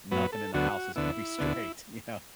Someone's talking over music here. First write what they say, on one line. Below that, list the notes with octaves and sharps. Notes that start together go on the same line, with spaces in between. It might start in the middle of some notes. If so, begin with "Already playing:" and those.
nothing in the house is gonna be straight, you know?
F#2 F#3 B3 B4
A4
D2 D3 F#3 B3 F#4
D2 D3 B3 E4
D2 D3 B3